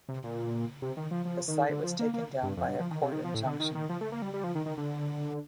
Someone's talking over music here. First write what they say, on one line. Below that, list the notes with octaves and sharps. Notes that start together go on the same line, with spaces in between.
The site was taken down by a court injunction.
C3
A#2
C3
D#3
F3
F3
D#3
D3
F3
A#3
A#3
G2
F2
G2
F3
D#3
C3
D#3
F3
A2
D3
D#3
D#3
F3
A3
A#3
G3
G3
F3
D#3
D#3
D3